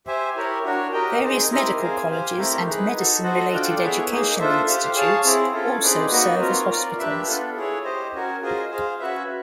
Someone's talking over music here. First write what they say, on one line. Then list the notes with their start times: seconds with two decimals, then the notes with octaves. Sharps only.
Various medical colleges and medicine related educational institutes also serve as hospitals.
0.07 G4 C5 E5 G#5
0.36 E4 G4 A#4 C#5
0.65 D4 F#4 A#4 C#5
0.92 G4 A#4 D#5 G5
1.22 C4 D#4 G#4
1.50 C4 E4 G4 A#4 D#5
1.79 G#4 C5 F5 G#5
2.09 G4 C5 F5 G#5
2.37 A3 C4 E4 G4 A#4
2.66 D#4 G#4 B4
2.95 D#4 F#4 A4
3.23 F#4 A4 C5 D#5 F#5
3.52 D4 F4 A4 D5 G5
3.81 B3 E4 G#4 C#5 E5
4.10 A#3 D#4 G#4
4.39 D4 F4 A4 C5 E5
4.68 G4 C5 F5
4.96 G#4 C#5 F5 A5
5.24 C4 E4 G#4
5.53 C#4 F4 A4
5.82 C4 D#4 G#4 B4 D5
6.11 A#3 D#4 F#4 B4 D#5
6.40 C4 F4 A#4 C#5
6.69 F4 A#4 D5
6.98 D4 G4 B4 E5
7.27 B3 D4 F4 A4
7.56 E4 G#4 C#5
7.84 G4 C5 D#5
8.14 C#4 F#4 A#4
8.41 F4 G#4 C5 D#5 G#5
8.71 G#4 C5 F5
9.00 C#4 F#4 B4 E5